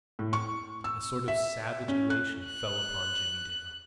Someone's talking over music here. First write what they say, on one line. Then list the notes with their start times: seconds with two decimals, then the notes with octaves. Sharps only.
A sort of savage elation fell upon Jimmie Dale.
0.19 A2
0.33 C#6
0.84 E6
1.28 E5
1.88 C#4
2.10 F#6
2.47 F#6